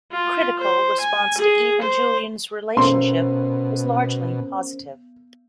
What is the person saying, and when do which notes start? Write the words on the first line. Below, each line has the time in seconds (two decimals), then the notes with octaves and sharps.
Critical response to Eve and Julian's relationship was largely positive.
0.12 F4
0.59 C5
1.01 G#5
1.39 G#4
1.83 C5
2.77 B2 B3 C#4 A#4 C5 C6